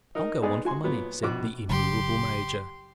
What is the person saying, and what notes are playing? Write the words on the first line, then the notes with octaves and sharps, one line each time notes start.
"I'll go on for money," said the immovable major.
D#4 A#4 D#5
G#3 B3 D#4 G#4 D5
F#4 G#5 C6
A#2 F#3 B3
A#1 B2 F#4 D6 F#6
F#1 C#3 F#3 G4 C6